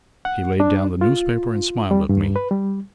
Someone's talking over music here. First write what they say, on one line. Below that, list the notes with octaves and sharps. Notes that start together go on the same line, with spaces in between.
He laid down the newspaper and smiled at me.
F#5
D4
F4
G3
G2
B4
G3